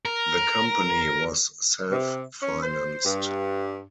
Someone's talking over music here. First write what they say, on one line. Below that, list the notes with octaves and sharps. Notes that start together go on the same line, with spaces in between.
The company was self-financed.
A#4
C3
C#4
C5
G2